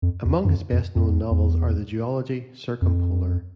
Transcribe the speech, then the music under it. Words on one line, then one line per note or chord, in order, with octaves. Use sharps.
Among his best-known novels are the duology Circumpolar!
F2
E2
G2
F2
F2
F2
E2
E2
F2